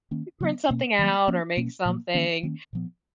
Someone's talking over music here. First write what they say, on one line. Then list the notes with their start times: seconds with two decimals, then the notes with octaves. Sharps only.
print something out or make something
0.11 D#3 A#3 C#4
0.40 C#3 F#3 B3
0.69 B2 A#3 C#4
0.99 D#3 F#3 A#3
1.28 F3 A#3 C#4
1.57 B2 A#3 C#4
1.85 A#2 F3 A#3
2.14 D#3 A#3 C#4
2.43 D#3 A#3 C#4
2.73 A#2 F3 B3